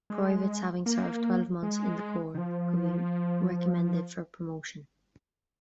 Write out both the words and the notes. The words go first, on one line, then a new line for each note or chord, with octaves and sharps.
Privates having served twelve months in the Corps could be recommended for promotion.
G#3
A#3
G#3
D#3
F3